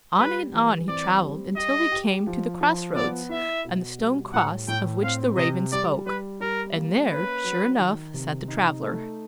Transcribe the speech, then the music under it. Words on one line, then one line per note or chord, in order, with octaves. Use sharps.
On and on he travelled, until he came to the cross-roads and the stone cross of which the raven spoke, and there, sure enough, sat the traveller.
G3 B4
E3
C4 D5
G3
G4 D#5
G4
F3
F3
B3 D5
E4 E5
B2
G3
A2 F#5
A2 G5
C4 F5
C3 D#5
G3 D5
G3 B4
G3 A#4
A#3
C#4 B4
F#3
D#3
C3
D#4
A3